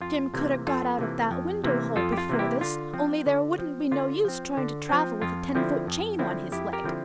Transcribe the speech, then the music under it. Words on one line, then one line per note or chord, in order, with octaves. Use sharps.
Jim could a got out of that window-hole before this, only there wouldn't be no use trying to travel with a ten-foot chain on his leg.
F2 F4
C3 E3 A#3
F2 F4 A4
C3 E3 A#3
F2
C3 E3 A#3
F2 F4 A4
G4
F4
C3 E3 A#3
E4 G4
D3 F4
F3 C4
D3
F3 C4
D3 F4
F3 C4
D3
F3 C4
F2 F4
D3 F3 C4 E4
F2
D3 F3 C4 E4
F2 E4 G4
G4 A#4
D3 F3 C4 E4